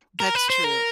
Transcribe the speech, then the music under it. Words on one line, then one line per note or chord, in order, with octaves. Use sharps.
That's true.
A#4
B4
C5
A#4